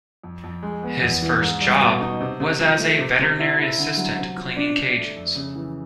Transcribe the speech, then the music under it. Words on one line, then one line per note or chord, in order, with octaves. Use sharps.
His first job was as a veterinary assistant cleaning cages.
F2
F2
G#3
B3
E2
E3
G#2
G3
B2
D#4
C3
C3
F3
A3
C3
C3
E4
E4
D3
F#3
C3
F3
D4
D4
A3
F2
C#3
E3